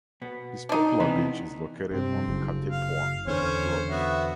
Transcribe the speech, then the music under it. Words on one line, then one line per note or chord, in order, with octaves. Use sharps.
This popular beach is located on Katepwa Road.
B2 B3
D4 D#4
C3 E3 B3
G2 C3 C4
F#1
F5
E2 D3 C#4 C5 C#5
B3 F#4 E5